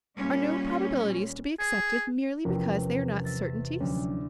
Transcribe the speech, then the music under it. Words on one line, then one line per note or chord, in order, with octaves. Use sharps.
Are no probabilities to be accepted, merely because they are not certainties?
A#2 G3 C#4
G#4
E2 C3 F3 C#4 A#4
E5 A6 A#6
D2 F3 F#3 C#4